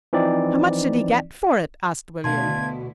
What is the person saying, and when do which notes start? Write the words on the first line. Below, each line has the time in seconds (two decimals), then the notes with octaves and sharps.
"How much did he get for it?" asked William.
0.13 E3 F3 C4 D#4 D5
2.24 D2 B2 D3 E4 F5 A5 C6 G#6